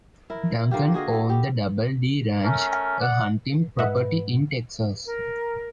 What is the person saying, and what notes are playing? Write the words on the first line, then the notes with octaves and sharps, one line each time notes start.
Duncan owned the Double D Ranch, a hunting property in Texas.
E4 A#4
D3 A#3 F4 G4
F#4 G#4 D#5 F5
B3 A4
G4
A3 C#4 A#4
D5 F#5
G#2 B4 D#5 E5 F#5
A#4